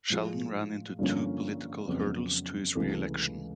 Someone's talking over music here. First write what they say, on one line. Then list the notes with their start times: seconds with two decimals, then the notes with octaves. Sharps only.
Sheldon ran into two political hurdles to his re-election.
0.10 A2 F3 G#3
0.99 G2 D3 F3 A#3 C#4
1.87 F2 C#3 F#3 B3
2.75 C#2 C3 E3 A3